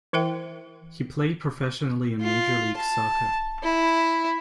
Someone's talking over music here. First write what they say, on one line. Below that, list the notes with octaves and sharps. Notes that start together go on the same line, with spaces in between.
He played professionally in Major League Soccer.
E3 E4 A#4 E5 G5
F4
A5
E4